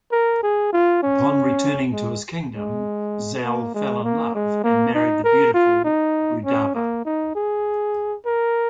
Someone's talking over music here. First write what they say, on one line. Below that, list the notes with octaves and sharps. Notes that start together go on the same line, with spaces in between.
Upon returning to his kingdom, Zal fell in love and married the beautiful Rudaba.
A#4
G#4
F4
C#4
G#3
G#3
A#3
G#3
A#3
G#3
A#3
D#4
A#4
F4
D#4
C#4
A#3
D#4
G#4
A#4